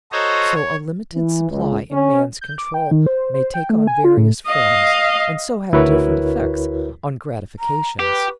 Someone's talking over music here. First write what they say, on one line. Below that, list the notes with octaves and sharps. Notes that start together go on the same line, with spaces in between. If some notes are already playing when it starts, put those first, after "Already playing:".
So a limited supply in man's control may take on various forms and so have different effects on gratifications.
F#4 A4 C5 C#5 D#5 A#5
C#5
E3
C#2
C#4
G6
D6
G5
D#3
C5
C5
G5
A3
G#5
F4
A2
D#5 F5
D2 E4 F#4 A#4 B4 C#5
A#5
G4 B4